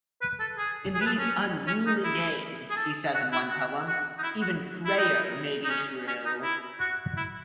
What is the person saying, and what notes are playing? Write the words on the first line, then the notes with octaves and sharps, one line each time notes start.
'In these unruly days,' he says in one poem, 'even prayer may be true.
B4
A4
G#4
G#4
B4
A4
C#4
C#4
D#4
E4
G#4
A4
F#4
E4
F#4
F#4
D#4
E4
F#4
E4
D#4
D#4
C#4
C#4
D#4
E4
F#4
E4